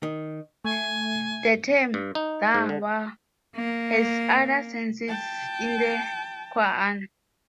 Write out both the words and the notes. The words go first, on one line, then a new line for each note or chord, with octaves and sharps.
The term "da'wah" has other senses in the Qur'an.
D#3
A3 G#5
G2
D#4
G#2
D3
A#3
G5 A5